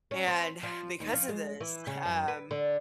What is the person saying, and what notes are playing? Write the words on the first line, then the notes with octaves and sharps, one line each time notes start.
and because of this, um,
C#4
C4
F3
D#2
F3
G#3
E3
C#3
F#2
B4
D3